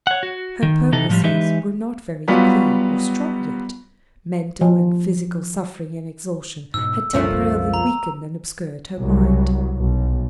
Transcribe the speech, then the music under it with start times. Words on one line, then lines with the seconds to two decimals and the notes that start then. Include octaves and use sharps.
Her purposes were not very clear or strong yet--mental and physical suffering and exhaustion had temporarily weakened and obscured her mind.
0.07 C#5 F#5
0.23 F#4
0.63 D#3
0.92 C3 E3 D#4 A4
1.09 A2 F3 G3
1.23 E3 G#3 D#4 G4 B4 E5
2.28 F#3 G3 B3 F4 F#4
4.61 F3
6.74 G#2 B2 E6
7.13 C2 F#2 A#2 F3 A3
7.74 A#5
8.99 C2 F#3
9.78 B1